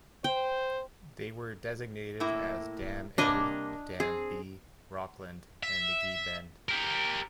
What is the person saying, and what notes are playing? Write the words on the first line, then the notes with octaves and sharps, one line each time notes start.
They were designated as Dam A, Dam B, Rockland, and McGee Bend.
C5 G5
A2 A#3 E4
C3 G3 A#3 D4 D#5 G#5
C4 G#4
E5
G4 A#4